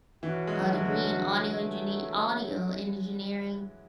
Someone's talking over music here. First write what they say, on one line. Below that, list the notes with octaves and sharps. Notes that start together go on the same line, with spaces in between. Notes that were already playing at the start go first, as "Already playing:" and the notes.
a degree in audio enginee audio engineering
B2 E3 A3 C#4 F#4
G#3
F#3
E3
D3
B2 F#3 A3